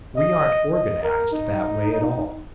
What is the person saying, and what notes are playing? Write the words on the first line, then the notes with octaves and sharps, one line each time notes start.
We aren't organized that way at all.
D#5
D#5
A#4
D#4